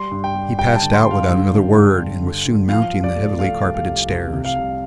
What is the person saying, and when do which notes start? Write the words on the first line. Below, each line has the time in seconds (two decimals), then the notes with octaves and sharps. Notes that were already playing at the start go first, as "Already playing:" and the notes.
He passed out without another word, and was soon mounting the heavily-carpeted stairs.
Already playing: G3 C6
0.11 G2
0.24 G5
0.35 G3
0.58 G3 G5
0.76 A5
0.82 D3
0.94 C6
1.05 G3
1.11 F5
1.29 G2
1.52 D3
1.75 G2
1.99 D3
2.23 D3
2.45 G2
2.69 F3 F5
2.92 C2
3.04 D5
3.15 A3
3.39 A3 F5
3.63 C2
3.74 F5
3.86 C2
4.09 C3
4.33 C3
4.45 F5
4.56 C2